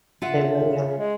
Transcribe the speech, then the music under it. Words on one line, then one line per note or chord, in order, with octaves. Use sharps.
They really are
C#3 F4 E5 F#5
G#3